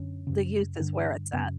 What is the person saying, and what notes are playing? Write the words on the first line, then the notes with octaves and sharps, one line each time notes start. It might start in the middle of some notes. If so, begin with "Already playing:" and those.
The youth is where it's at.
Already playing: F#2 D3 C#4
F#2 C#3
G2 D3
F#2 C#3 B3